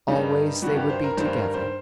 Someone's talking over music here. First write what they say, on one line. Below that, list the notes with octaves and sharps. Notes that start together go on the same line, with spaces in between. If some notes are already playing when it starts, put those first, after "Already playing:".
Always they would be together.
G2 D#3 G3 D#4
G2 D#3 G3 F#4
G4
C5
A#4
G2 D#3 G3 C5
A#4
C5